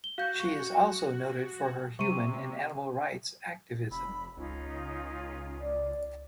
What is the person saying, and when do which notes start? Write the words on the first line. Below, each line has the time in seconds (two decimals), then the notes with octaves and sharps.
She is also noted for her human and animal rights activism.
0.04 G7
0.18 F#4 F5 G6
0.40 C#6
1.99 C3 C#6 D#7
3.91 F1 B5 E6
4.37 C#2 C#4 D#4 F4
5.61 D5